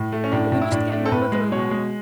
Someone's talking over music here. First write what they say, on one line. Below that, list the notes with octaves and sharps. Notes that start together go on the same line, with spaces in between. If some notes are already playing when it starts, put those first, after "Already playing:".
But we must get my mother away.
Already playing: A2
A3
C#4
A2 D4
A2
E4
A2 D4
A3 D4
A4
A2 B4
G#3
B2 C#5
G#3